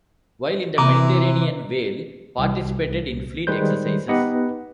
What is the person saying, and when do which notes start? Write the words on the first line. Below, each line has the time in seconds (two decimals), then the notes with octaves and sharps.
While in the Mediterranean Whale participated in fleet exercises.
0.78 C3 E3 A#5 D6
2.38 C2
3.47 D#3 G3 G#3 B4 C5 G6
4.08 B3 D#4 G4 B4 D#5 F#5